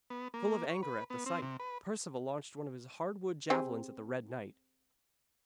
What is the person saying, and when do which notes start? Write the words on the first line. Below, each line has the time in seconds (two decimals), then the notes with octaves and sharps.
Full of anger at the sight, Perceval launched one of his hard-wood javelins at the red knight.
0.10 B3
0.34 A#3
0.70 C#5
0.83 B4
1.10 B3
1.26 C4
1.42 C3
1.60 B4
3.50 C4 G4 G#4